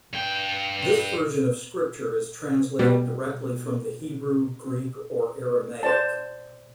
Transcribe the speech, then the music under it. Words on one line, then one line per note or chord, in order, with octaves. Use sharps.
This version of scripture is translated directly from the Hebrew, Greek or Aramaic.
G2 G5
B2 G3
C5 D5 A5